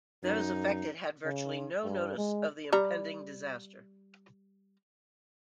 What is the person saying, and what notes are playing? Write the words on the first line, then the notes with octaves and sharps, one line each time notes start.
Those affected had virtually no notice of the impending disaster.
F#2 D#4
C#3
G2
G#3
G3 A#5